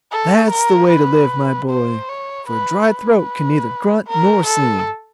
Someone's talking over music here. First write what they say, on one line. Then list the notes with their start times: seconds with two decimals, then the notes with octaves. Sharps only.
"That's the way to live, my boy, for a dry throat can neither grunt nor sing."
0.11 A4
0.50 A#4
0.90 B4
1.70 C5
2.09 C#5
2.48 B4
2.88 B4
4.07 A#4
4.46 A4